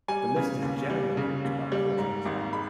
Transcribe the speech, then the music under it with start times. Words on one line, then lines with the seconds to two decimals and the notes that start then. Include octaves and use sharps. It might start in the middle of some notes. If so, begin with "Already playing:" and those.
The list is generally grouped by quadrant.
0.08 G3 G#5
0.36 C#3
0.62 D#2
0.90 G3
1.17 C#3
1.45 D#2
1.72 G3
1.98 G#2
2.25 G#1
2.53 G#3 B5